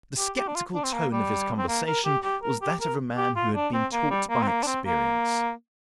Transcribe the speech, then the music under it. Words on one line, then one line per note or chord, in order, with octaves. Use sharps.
The sceptical tone of his conversation was that of a man who had been taught by experience.
G4
G4
D4
F4
D4
C4
A#3
G3
C4
A#3
A#4
G4
G4
A#4
G4
A#4
G4
F4
D4
C4
A#3
G3
A#3
C4
A#3
D4
C4
A#3